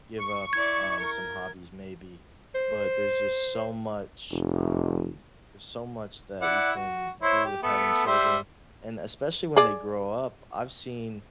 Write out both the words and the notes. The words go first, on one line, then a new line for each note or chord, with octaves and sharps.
give up, um, some hobbies, maybe, but there's just so much, um there's so much that you can do with having children, and especially when they grow up, I've seen
C#6
E4 D5 G#6
A#4
C5
F1
E4 D5 F#5
F#4
E4 C5 C#5
G4
A3 B3 A4
G3 C5 E5
G#4 D5